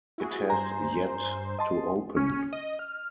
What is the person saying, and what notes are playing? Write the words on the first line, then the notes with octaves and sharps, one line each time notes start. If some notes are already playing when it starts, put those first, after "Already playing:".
It has yet to open.
E4 F#4 G#4
G2 C5 G#5 A#5
D#5 A5 C6
C#4
D#5
F6